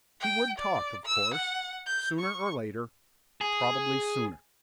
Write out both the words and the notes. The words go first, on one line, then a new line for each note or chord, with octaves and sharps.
He would talk, of course, sooner or later, probably sooner.
G5
D5
E6
F#5
G6
C#6
G#4